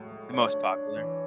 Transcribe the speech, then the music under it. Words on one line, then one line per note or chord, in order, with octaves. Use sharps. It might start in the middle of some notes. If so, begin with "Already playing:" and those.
the most popular.
Already playing: A2 F#3 G#3 A3
F#3
D4 C#5
D4
D4
E3